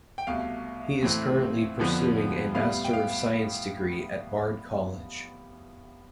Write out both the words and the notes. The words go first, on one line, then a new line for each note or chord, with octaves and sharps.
He is currently pursuing a master of science degree at Bard College.
G5
C2 B2 A3 F5
A2 E3 A3 C4
F2 D3 F3 B3
A2 G3 B3 F5
G5
F5